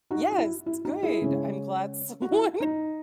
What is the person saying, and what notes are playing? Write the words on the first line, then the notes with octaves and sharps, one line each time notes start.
Yes, good, I'm glad someone
D#4 F#4
F#4
E4
E4
D#4 F#4
E4 G#4
C#3 G#3 C#4
F#4
E4
D#4